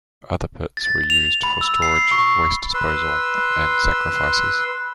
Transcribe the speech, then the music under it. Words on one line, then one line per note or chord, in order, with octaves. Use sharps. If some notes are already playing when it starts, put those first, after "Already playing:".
Other pits were used for storage, waste disposal and sacrifices.
A6
F7
B5
E6
C7
C#6
B4 C6 E6